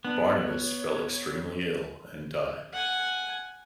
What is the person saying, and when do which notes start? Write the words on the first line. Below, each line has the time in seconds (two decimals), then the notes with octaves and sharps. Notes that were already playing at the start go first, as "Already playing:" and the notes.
Barnabas fell extremely ill and died.
0.05 B3 D4
0.40 C#5
2.73 F#5 G#5